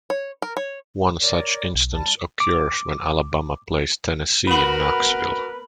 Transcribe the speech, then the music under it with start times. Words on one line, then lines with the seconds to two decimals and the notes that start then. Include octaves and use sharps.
One such instance occurs when Alabama plays Tennessee in Knoxville.
0.10 C#5
0.42 A#4
0.57 C#5
1.22 A#4 C#5 D5
1.74 B1
1.94 G3 A5
2.40 D6
4.47 B3 F#4 A#4 B4 B5 F#7